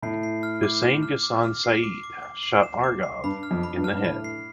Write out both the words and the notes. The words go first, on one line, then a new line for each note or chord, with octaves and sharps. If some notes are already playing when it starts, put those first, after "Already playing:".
Hussein Ghassan Said shot Argov in the head.
A2 C7
C7
F6
D6
E7
F6
D6
F6
C7
D6
D6
D6
C7
E7
D6
C7
G2 B5
F6
F2
B5
G2
F6
G2
A2 B5
C7